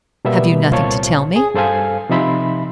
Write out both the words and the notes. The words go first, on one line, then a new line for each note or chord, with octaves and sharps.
"Have you nothing to tell me?"
B2 G3 A#3 B3 E5
C2 A#2 F4 C5 C#5 A5
G#4
G2 A4 C5 F5 G#5
C3 F3 D#4 E5 B5 C6